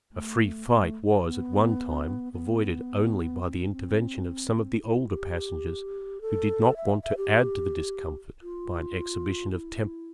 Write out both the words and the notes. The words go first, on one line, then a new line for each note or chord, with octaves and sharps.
A free fight was, at one time, avoided only by the intervention of some of the older passengers who did not want to add to the discomfort by an exhibition of temper.
A3
B3
A3
B3
B3
C4
C4
C4
E4
G4
A4
E5
E5
G4
F4
E4
E4